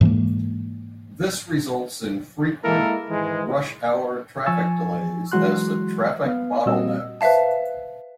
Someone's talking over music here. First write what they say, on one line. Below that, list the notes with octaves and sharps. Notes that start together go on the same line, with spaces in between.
This results in frequent rush hour traffic delays as the traffic bottle necks.
G#2 E3 G#3 A#3
G#3 A#3 E4 A4 A#4
G#2 D#3 E3 G#3
F3 G#5 C#6 E6 A6
E3 F#3 G#3 F#4 C6 F#6
B3 F5
A#2 G3 C4 F#4 D#5 E6
B4 C5 E5 F5 A5